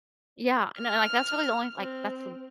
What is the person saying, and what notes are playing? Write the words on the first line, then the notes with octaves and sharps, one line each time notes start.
Yeah, and then, like, that's really the only, like that's
F6
C4